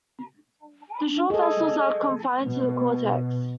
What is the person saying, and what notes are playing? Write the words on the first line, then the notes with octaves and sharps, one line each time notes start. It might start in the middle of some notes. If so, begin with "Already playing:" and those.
The short vessels are confined to the cortex.
D4
G#4 A4 D#5
B2